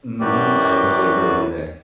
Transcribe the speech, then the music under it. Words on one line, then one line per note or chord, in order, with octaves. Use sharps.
Mhm, I totally agree with you there.
F#2 E3 F#4 G4 D5